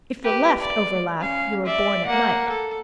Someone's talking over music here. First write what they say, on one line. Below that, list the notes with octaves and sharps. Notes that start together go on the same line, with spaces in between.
If the left overlap, you were born at night.
G4 B4
D5
C#4 F5
D5 E5
A#3 F#5
A4